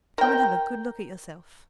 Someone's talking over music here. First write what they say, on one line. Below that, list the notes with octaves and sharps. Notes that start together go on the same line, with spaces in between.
"Come and have a good look at yourself."
A#4 G5